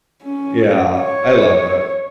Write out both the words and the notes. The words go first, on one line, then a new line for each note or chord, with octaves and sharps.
Yeah, I love it.
C#4
C#5